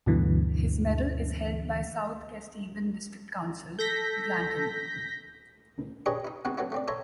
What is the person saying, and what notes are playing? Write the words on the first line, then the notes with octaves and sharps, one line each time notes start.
His medal is held by South Kesteven District Council, Grantham.
D2 G2 B2 D3 E3
A4 G6 A#6 B6
D4 G4 G#4 B4 C#5 D#5
D#4 E4
B2 G#3 B3 C4 D#4 F#4
F#3 A3 B3 C4 E4
A3 C4 D5
A4 C5 C#5 E5 A5 A#5